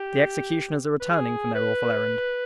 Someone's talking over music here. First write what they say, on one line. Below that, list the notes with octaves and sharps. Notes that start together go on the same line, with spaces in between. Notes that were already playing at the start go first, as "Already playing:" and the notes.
The executioners are returning, from their awful errand.
Already playing: G4
B4
G#4
B4